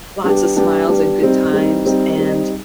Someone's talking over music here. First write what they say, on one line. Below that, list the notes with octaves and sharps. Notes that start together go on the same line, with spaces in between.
lots of smiles and good times, and
G3 B3 D4 G4
G3 B3 D4 G4
G3 B3 D4 G4
G3 C4 D#4
G3 C4 D#4
G3 C4 D#4
G3 C4 D#4